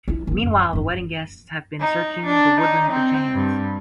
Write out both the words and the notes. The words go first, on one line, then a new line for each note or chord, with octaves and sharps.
Meanwhile, the wedding guests have been searching the woodland for James.
E4 F4
D#3 B3
F#2
F#2 F3
D#4
D4
D#4
C4
G2